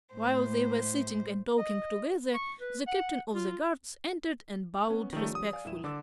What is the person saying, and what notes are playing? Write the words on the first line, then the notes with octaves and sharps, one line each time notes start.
While they were sitting and talking together the Captain of the Guards entered and bowed respectfully.
A2 C5
D#5
C#6
B4
F#5
F4
B3 C#4
D#3 F3 G3 A3 C#4
D#6
D5 F5 G#5
D#1 E4 E7
D3 D5 D6 E6